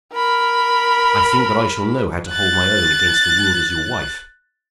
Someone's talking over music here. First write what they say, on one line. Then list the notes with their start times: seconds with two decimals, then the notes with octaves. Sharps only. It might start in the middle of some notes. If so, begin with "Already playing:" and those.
I think that I shall know how to hold my own against the world as your wife.
0.14 A#4 B5
2.29 F#6 A6